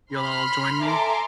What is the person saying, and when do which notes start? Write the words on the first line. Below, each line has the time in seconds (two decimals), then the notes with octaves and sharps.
You'll join me?
0.14 B5 C6 F6
0.84 A4 E5 G#5 A#5 C6 D6